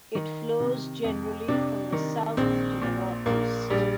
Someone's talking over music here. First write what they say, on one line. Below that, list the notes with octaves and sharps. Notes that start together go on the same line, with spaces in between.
It flows generally from the south to the north-east.
D#3
C3
F2
C3 D4
D#3
A#1 C4
A#2
A#1 A#3
A#1 G3